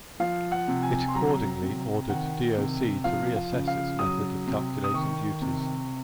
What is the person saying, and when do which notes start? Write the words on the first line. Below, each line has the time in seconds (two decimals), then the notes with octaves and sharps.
It accordingly ordered DoC to reassess its method of calculating duties.
0.20 F3 F5
0.52 F#5
0.68 C3
0.83 G#5
1.08 C6
1.15 F#3 A#5
1.62 C3
2.10 D#3 F#5
2.57 C3
3.04 F3 F5
3.36 F5
3.52 C#3
3.67 F5
3.99 F#3 D#6
4.47 C3
4.84 D#6
4.94 D#3 C#6
5.42 C3